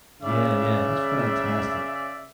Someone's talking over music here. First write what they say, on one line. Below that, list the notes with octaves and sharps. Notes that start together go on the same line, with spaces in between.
Yeah, yeah, he's fantastic.
C#3 D5 E5